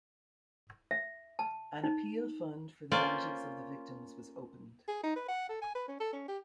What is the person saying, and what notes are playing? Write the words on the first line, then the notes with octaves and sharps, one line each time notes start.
An appeal fund for the relatives of the victims was opened.
E5
A5
D#4
A#3 C#4 F4 C5 D5
G#4
D#4
B4
F#5
A4
G#5
B4
C#4
A4
C#4
G4